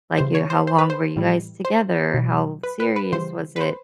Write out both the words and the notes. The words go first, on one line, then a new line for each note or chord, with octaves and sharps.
like, you how long were you guys together? How serious was it?
C#3 E3 G3 C5
C#5
C5
C5
B4
C5
A2 E3 G3
C5
B2 F#3
B4
B4
B4
C#3 E3 G3 C5
B4
C5